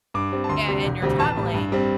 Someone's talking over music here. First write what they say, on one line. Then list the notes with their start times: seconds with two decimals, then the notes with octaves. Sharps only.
a and you're traveling
0.14 G2 D6
0.32 G3 C4
0.44 A5
0.49 D2 C6
0.67 C3 G3 D4
0.85 E1
1.02 D2 C3 G3 C4
1.19 A1 A5
1.37 A2 G3
1.54 G2
1.72 G3 C4